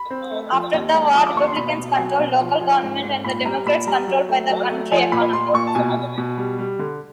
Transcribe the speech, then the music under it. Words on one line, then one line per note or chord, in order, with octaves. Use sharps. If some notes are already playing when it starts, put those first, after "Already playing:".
After the war, Republicans controlled local government and the Democrats controlled the county economy.
Already playing: B5
C4
A3
F3
D#2
G#3
F3 D#6
D6
D#2 C#6
C6
B2 B5
B2
F#3
B2
F3
F3
G#2
G#2
A#2 B5
G3 A#5
A#2 B5
G3 A#5
F#3
A3
F#3
A3
F3 G#5
A#2 B5
A#2 C6
A#2 C#6
A5
B2 G#5
B2
B2
G3
G3
D3